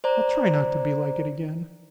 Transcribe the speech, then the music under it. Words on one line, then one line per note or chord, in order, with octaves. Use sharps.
I'll try not to be like it again.
C5 D5 A#5